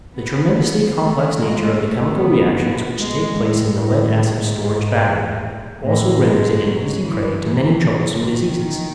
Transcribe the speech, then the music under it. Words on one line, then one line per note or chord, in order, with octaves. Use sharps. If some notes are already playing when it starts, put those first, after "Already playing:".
The tremendously complex nature of the chemical reactions which take place in the lead-acid storage battery also renders it an easy prey to many troublesome diseases.
B3
A3
G#3
A3
B3
B3
G#3
A2
A2
G#2
A2
G#3
F#3
E3
E3
F#3
D#3